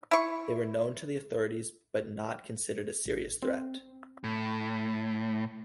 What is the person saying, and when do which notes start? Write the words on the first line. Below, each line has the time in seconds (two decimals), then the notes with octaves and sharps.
They were known to the authorities but not considered a serious threat.
0.11 E4 C#6
3.06 G#1
3.42 C4
4.24 A2